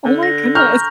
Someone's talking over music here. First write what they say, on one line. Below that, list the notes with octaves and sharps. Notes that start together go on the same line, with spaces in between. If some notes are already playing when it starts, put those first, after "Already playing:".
Oh my goodness.
D3
A#6
A#5 C#6 F6 G6